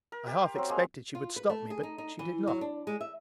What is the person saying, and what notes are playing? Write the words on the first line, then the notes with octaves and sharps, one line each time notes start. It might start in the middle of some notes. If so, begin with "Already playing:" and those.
I half expected she would stop me, but she did not.
A#4
G4
C6
F#3 C4
G#3 A#3
F4
B4
A3
G#4
D#4
D#4
E3
F#3
D4
G#3
E5